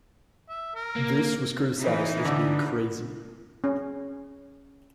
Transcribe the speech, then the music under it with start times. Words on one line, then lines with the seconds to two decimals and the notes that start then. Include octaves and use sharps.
This was criticised as being "crazy".
0.49 E5
0.75 A#4
0.96 A#3
1.79 E3 D#4 E4
2.25 D3
3.64 C#4